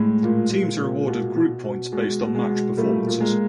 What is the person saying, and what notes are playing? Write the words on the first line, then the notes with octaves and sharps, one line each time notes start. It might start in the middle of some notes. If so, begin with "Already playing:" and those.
Teams are awarded group points based on match performances.
Already playing: A2 G#3
A#2
A#2
A#2
B2
B2
B2
B2 G#3
B2
G#3
B2
A#2 G3 A3
A#2
G#3 A#3